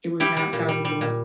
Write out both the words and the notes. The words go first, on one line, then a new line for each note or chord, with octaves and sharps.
it was not salvageable,
G3 E4 G4
G3
A#2
G3
G3
A#2